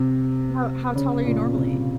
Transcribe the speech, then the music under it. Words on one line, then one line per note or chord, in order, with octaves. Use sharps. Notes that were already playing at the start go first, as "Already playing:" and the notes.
How how tall are you normally?
Already playing: C3
C#3
A#2
C3